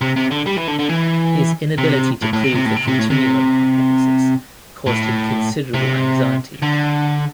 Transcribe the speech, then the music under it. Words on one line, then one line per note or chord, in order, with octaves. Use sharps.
His inability to prove the continuum hypothesis caused him considerable anxiety.
C3
C3
D3
G3
E3
D3
D3
E3
C3
A2
A2
C3
C3
A2
C3
C3
A2
C3
A2
C3
D3